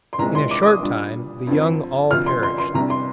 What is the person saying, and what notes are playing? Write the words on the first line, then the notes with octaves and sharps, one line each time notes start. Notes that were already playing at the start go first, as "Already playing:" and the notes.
In a short time the young all perished.
C6
C2 A#2 G#3 C4 A#5
C6
D6
D6
D#6
A#2 G3 D4
G2 D3 F3 C4
D2 C3 F3 F6
C6
C6
C6
C2 C3 G3 D4 A#5
C6